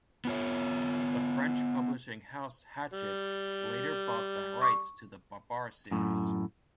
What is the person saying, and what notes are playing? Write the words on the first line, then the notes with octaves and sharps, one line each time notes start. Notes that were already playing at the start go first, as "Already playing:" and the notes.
The French publishing house Hachette later bought the rights to the Babar series.
B3 F4 C#5
G3
C#6 D6
F#2 A2